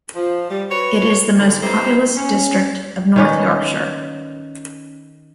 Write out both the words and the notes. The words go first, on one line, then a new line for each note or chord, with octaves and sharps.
It is the most populous district of North Yorkshire.
F3
G3
F#4 B4 C#5
G#2 D3 G3
C4 D#4 E4 G4 B4 C5
C#4
D#3 C#4 B4